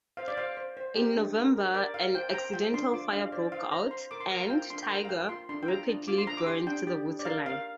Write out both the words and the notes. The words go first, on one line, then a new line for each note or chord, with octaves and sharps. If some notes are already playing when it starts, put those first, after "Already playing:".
In November, an accidental fire broke out and "Tyger" rapidly burned to the waterline.
C5 F5
D5
C5 F5
C5
C5
G4
D4
A#4
A#4
A#4 D5
A#4 F5
C5 G5
G5
C5 A#5
F4 G5
D4 C6
F4 D6
D4 F5
C5 D5
C5 F5
C5 A#5
C5 C6
A#4 D6
C6
A#4 A#5
F5
F4 G5
D4 C6
G5
A#4 A#5
F5
A#4 G5
F4 C6
D4 C6
G5
F4 A#5
D4
F4 D6
C6
D4 A#5
D6
G4 C6
D4 G5
G4
D4
D5
A#4 F5
A#4 F5